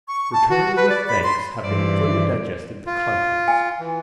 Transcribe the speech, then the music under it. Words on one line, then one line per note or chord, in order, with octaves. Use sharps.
Returned with thanks having fully digested the contents.
C#6
A5
F#4
B4
D5
B5
C6
G2 E3 C5 D5
F4
G#5
E3